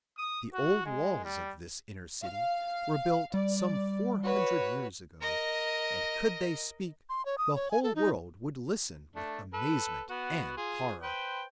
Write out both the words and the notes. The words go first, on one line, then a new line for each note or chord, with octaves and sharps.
The old walls of this inner city were built some four hundred years ago and could they speak, the whole world would listen with amazement and horror.
D#6
F#4
G#3
G3
F5
G3 D5
F#4 B4 C#5
A#4 D#5
C6
C#5
D#6
C#5
G#5
A4
D#4
A3 D4
A4 B4
B3 F#4
F4 G#4
B4 C5 G5